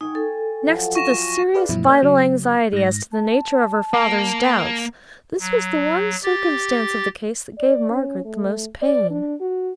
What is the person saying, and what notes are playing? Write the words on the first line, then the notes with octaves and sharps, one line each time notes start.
Next to the serious vital anxiety as to the nature of her father's doubts, this was the one circumstance of the case that gave Margaret the most pain.
D#4 G#4 G5 C#6
A4
F3 F#3
C#6 A#6 E7
G#4 B4 D5 F5
G2 B2 F3 F#3 E4
A#3 D5 G6
C#3 F#3
G#2 A#6
A5
A#3
F#3
G4 A6
D5
C#4
A3
D5
D4
F#4